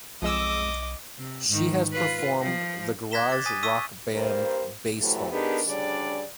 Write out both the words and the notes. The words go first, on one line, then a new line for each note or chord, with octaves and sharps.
She has performed the garage rock band Bassholes.
B1 F2 G#3 D#5 D6 E6
C3
G#2 D#3
F4 B4
F3
F#6 G#6 A#6 B6 E7 G7
D6 A6
G#5 D#6 A6 B6 D#7
C#6 D#6 E6 B6 D#7
G2 G3 A#3 A#4 C5
A2 C3 E3 F#3 A3
B3 D4 D#4 G4 G#4 A#4
D2 C#3 G3 D4 C#5 D5